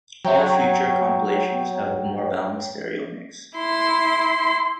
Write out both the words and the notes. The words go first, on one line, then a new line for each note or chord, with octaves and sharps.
All future compilations have a more balanced stereo mix.
F#3 C#5 G5 A#5
E4 C6